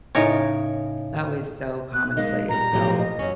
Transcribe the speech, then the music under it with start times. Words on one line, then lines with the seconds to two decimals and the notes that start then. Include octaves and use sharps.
that was so commonplace, so
0.15 A2 C#3 D#4 A#4 C#5
1.94 F#6
2.17 G#3 A#3 D#4 D#5
2.49 A#2 G3 A#5
2.72 A2 F3 G4
2.99 D#5
3.19 F#2 C#4